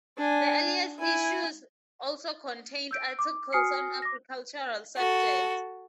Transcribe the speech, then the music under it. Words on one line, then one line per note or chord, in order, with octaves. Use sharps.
The earliest issues also contained articles on agricultural subjects.
D4 G#5
E4 G#5
E6 G6 D7
D6
F#4 G#5 D#6 F6 C7 C#7
D6 A#6
F#4 A4